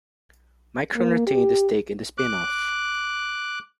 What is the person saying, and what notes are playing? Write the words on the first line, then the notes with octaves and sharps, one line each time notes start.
Micron retained a stake in the spinoff.
A#3
G4
D6 F#6